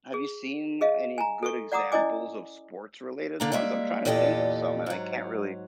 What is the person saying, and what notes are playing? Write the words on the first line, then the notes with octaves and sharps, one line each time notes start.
Have you seen any good examples of sports related ones? I'm tryna think of some, and I can't really
G#4
G#4 D#5 F5
G#5 A#5
A4 C#6
D5 F#5 A#5 D6 D#6
C#4 E4 D5 D#5 G#5 D6
D3 A#3 A#5
G3 G#3 A#3 E5
E2 A#2 B3 G4 A4 D#5
G#2 F#3